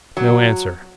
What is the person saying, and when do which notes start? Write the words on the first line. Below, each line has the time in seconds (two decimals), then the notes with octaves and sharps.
No answer.
0.17 F#3